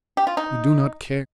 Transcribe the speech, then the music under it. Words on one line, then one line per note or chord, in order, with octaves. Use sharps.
We do not care.
G4
F4
D#4